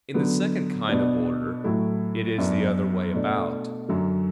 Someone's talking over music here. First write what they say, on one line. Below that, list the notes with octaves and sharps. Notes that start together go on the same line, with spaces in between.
In the second kind of order, it is the other way about.
D3 F#3 B3
B2 B3 D4
A2 F#3 A3 E4
F#2 F#3 B3 D4
B2 A3 D4
F#2 D3 F#3